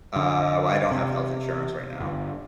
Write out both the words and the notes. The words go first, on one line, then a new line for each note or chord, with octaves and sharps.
Uh, well, I don't have health insurance right now.
D3
C3
G1